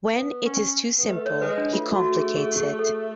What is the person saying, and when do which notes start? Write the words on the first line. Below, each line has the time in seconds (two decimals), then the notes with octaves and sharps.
When it is too simple, he complicates it.
0.14 B3
0.45 C#4
0.98 B3
1.09 A3 B4
1.26 C#5
1.41 G#3 B4
1.58 D4
1.73 A3 F4
1.95 F#4
2.15 G#4
2.37 G#4
2.58 G#4
2.79 A4